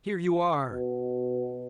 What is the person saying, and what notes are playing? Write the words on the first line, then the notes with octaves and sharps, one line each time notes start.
"Here you are!"
B2